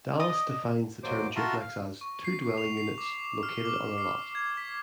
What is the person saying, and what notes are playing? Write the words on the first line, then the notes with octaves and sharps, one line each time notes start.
Dallas defines the term duplex as "two dwelling units located on a lot".
D5 D#5 D#6
D#2 F#3 C5 D6
F4 F#4 E5 A5 A#5 C6
F5
C#6
C7
F7
C7
D6
F6
D6
C7
G#6
B6